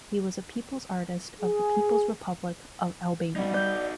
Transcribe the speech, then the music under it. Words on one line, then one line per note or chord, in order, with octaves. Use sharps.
He was a People's Artist of the People's Republic of Albania.
G#4
G3 D#4 F#4
D5 G6